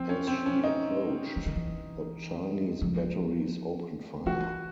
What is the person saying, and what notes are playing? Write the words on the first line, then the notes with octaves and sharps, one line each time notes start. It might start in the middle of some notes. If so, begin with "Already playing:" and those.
As she approached, the Chinese batteries opened fire.
Already playing: F3 C4
C#4
C4
C#4
D#4
E3
D#3
E3
F3
E3 F#4